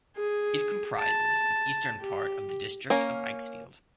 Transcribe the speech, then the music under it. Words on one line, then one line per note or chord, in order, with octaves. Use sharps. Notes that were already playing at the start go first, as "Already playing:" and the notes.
It comprises the eastern part of the district of Eichsfeld.
G#4
A5
G4
A#3 C#4 A#4